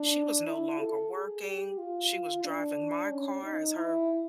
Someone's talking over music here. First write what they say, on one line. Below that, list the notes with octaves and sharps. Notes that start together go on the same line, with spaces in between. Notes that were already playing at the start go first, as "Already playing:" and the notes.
she was no longer working, she was driving my car as her
Already playing: D4
E4
A4
G#4
G4
F4
D4
C#4
D#4
E4